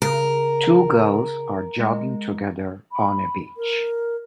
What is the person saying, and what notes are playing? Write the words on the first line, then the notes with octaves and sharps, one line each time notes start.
Two girls are jogging together on a beach.
C#3 A#4
G#3
B5
A#4